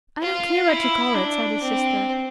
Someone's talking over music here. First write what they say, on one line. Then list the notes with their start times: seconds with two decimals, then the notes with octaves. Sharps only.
"I don't care what you call it," said his sister.
0.22 F4
0.69 E4
1.15 D4
1.62 C4